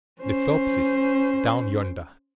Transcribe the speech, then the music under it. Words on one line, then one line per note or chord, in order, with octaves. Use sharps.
"The Phelpses, down yonder."
C#4 C5